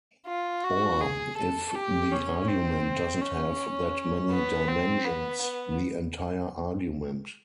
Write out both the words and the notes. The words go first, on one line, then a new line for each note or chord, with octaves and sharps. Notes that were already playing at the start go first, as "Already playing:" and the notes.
Or, if the argument doesn't have that many dimensions, the entire argument.
F4
F#4
G#4
A4
G4
C#4
C4
C#4
B3
C4
B3
B3